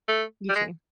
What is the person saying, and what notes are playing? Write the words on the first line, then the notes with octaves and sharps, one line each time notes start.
You too.
A3
G3
G#3